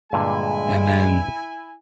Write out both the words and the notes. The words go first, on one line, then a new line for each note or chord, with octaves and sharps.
And then
G2 A#2 D3 G#3 E4 G#5